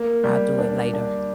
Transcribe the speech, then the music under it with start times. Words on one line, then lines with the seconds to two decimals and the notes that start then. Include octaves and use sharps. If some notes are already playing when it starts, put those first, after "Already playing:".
I'll do it later."
Already playing: A#3
0.24 G3
0.59 D4
0.94 D4